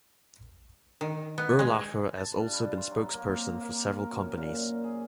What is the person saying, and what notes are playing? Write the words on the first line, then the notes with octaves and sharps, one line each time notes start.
Urlacher has also been spokesperson for several companies.
D#3
B3
G#3
A5
G2
G3
C6
F#3
A#3
C4
A#3
A#4
F#2
A#2
G#4